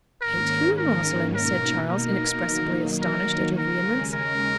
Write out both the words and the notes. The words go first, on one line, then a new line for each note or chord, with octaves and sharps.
"Hate whom, Rosalind?" said Charles, inexpressibly astonished at her vehemence.
G#2 D#3 A#3 C#4 A#4
A#4
B2 A#3 D#4 A#4
A#4
D#3 F#3 A#3 D#4
A#4
D#2 C#3 G#3 C#4 A#4
A#4